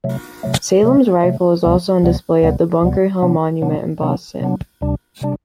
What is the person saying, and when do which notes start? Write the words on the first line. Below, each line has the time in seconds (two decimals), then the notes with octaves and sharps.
Salem's rifle is also on display at the Bunker Hill Monument in Boston.
0.04 C3 F#3 A3
0.43 C3 F#3 A3
0.83 C3 F#3 A3
1.23 C3 F#3 A3
1.63 D2 C3 G3 B3
2.03 D2 C3 G3 B3
2.42 D2 C3 G3 B3
2.82 D2 C3 G3 B3
3.22 C3 F#3 B3 D4
3.62 C3 F#3 B3 D4
4.02 C3 F#3 B3 D4
4.41 C3 F#3 B3 D4
4.81 D2 C3 G3 D4
5.21 C3 G3 D4